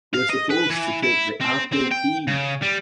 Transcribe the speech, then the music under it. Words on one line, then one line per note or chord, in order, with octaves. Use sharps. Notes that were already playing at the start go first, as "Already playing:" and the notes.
We're supposed to take the Appel Quay!
F5
D#5
B4
E3
E4
C4
C4
G5
C#3
G3